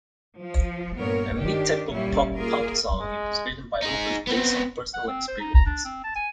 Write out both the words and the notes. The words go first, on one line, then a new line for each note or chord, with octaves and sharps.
A mid-tempo pop punk song, it was written by Hoppus based on personal experience.
F3
G2 A#2 B3 A#4 C#5
D#3 D4 G4
A#2 G3 C#4 E4
A#3 F4 G#4 A#4
G#3
D#4 G#4
B3 C4
F#5
C4
C5
D#4
A#5
D4
C4
A5
G#5